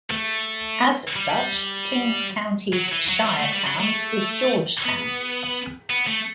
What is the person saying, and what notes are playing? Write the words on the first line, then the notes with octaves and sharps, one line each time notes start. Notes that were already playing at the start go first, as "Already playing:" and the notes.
As such, Kings County's shire town is Georgetown.
A3
G3
F#3
E3
F#3
G3
A3
G3
F#3
A3
B3
B3
A3